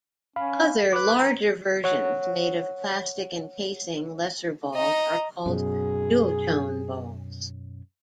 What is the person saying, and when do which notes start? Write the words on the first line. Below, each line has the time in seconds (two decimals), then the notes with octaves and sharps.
Other, larger versions made of plastic encasing lesser balls are called Duotone balls.
0.36 C#4 F5 B5
0.93 B4 D6 F#6
1.20 A#5
1.84 C#5 F#5
4.75 D#5 A#5
5.46 F#2 B2 G#4